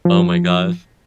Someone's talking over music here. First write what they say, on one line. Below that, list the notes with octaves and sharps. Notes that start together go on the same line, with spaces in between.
Oh, my gosh.
F3